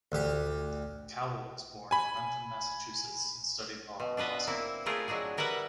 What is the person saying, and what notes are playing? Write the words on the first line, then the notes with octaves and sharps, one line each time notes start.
Cowell was born in Wrentham, Massachusetts and studied law in Boston.
D2 G4
G#5 B5
B2
D4 F4 B4 D#5 E5
A#3 C4 E4
A3 E4 F4 G#4 A#4
F#3 G#3 D4 G#4
G3 A#4 B4 E5 F#5